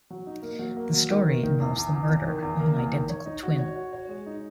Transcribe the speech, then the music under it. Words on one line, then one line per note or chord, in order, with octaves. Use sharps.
The story involves the murder of an identical twin.
F#3
D#4
A#3
F#3
A#3
F#3
D#3
A#3
D#3
E2
E2
E2
E2
D#3
E2
A#3
E2
D#3
C#5
D#4
F#4
C#5
F#4
C#5
G#3
D#4